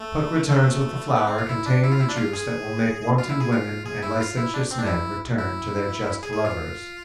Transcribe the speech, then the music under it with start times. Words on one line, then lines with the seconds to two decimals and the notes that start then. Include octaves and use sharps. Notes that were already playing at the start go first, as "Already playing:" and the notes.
Puck returns with the flower containing the juice that will make wanton women and licentious men return to their just lovers.
Already playing: A3
0.48 A3
1.16 B3
1.27 C4
1.38 F4
1.49 E4
1.66 D4
1.83 E4
1.92 F4
2.00 E4
2.08 D4
2.16 F4
2.33 G#4
3.18 F4
3.29 E4
3.40 G#4
3.52 F4
3.86 G#4
4.02 E4
4.20 F4
4.36 E4
4.54 D4
4.71 C4
4.79 D4
4.87 E4
5.38 E4
6.23 G#4
6.33 G#4
6.45 F4